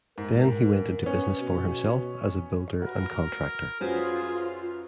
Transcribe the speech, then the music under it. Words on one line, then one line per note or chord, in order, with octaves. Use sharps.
Then he went into business for himself as a builder and contractor.
G#2 A#4
B3 C#4
B2
F#4 A#4 B4
F#2 F#3 F4 F#4 G#4 B4 C5 F6